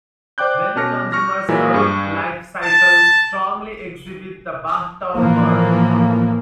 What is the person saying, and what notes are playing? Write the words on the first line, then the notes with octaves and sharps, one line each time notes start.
Many consumer product life cycles strongly exhibit the bathtub curve.
C5 D5 G5 D6 F#6 G6
B2 C#4 A5 F6 A#6
C#6 F6 A#6
A#2 E3 F#3 G#3 A#3 E4
G2 G#4 C#6
A5
A2 E3 F3 A#3